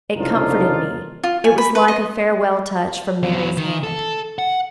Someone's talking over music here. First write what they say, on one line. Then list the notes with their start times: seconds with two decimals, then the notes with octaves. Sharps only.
It comforted me--it was like a farewell touch from Mary's hand.
0.16 C2 F2 C#3 D4 D#4 F4
1.24 F4
1.44 G#5
1.58 B5
1.75 B4
1.88 D#5
3.23 E2 F#3
3.57 D#3
3.83 A4
4.39 F#5